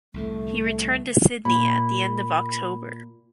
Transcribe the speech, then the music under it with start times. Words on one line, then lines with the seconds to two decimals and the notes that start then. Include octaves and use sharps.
He returned to Sydney at the end of October.
0.14 C2 A2 D3 A3
1.45 A#2 B5